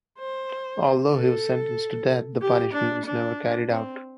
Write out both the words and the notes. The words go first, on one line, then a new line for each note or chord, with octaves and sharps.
Although he was sentenced to death, the punishment was never carried out.
C5
A4
G4
D4
D4
C4